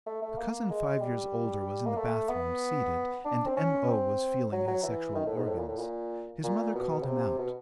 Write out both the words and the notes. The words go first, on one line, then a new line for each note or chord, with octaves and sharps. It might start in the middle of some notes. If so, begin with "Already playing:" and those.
A cousin five years older was in the bathroom, seated, and M.O. was feeling his sexual organs; his mother called him out.
A3
A3
A#3
G#3
G3
A#3
A3
B3
D4
C4
C#4
C4
F#3
F#3
E3
D#3
A2
G#2
A2
A#2
A2
A#2
A#2
B2
C#3
C3
B2